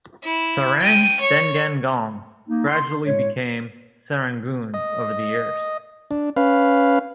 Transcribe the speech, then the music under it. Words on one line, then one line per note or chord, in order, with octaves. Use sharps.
"Serang dengan gong" gradually became Serangoon over the years.
E4
G5 D#7
C#5 C#6
A#3 D#4
C6
A2 G#3 C#5
D#5
D4
C#4 B4 F5